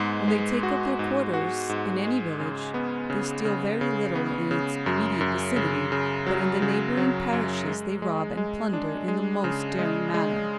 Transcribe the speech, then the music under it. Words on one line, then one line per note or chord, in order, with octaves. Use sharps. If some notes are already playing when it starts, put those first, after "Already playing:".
When they take up their quarters in any village they steal very little in its immediate vicinity, but in the neighbouring parishes they rob and plunder in the most daring manner.
Already playing: G#2 G#3 B3
G#3
F#4
G#2
F#4
G#2
G#3
C#3
B3
C#3
C#3
C#3
B3
C#3
F#2
F#2
C#3
C#3
F#3
C#3
F#3
F#2
G#3
G#3
G#3
D4
G#3
C#3
G#3
G#3